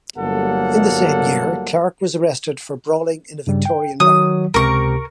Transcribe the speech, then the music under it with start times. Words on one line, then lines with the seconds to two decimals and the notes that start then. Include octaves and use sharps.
In the same year, Clark was arrested for brawling in a Victorian bar.
0.17 G1 F#3 G3 A#3 A4 F#5
3.47 G2 C#3 G3
3.65 G5
4.00 D#3 F#3 D#6
4.54 C#2 C3 G4 A#4 C#6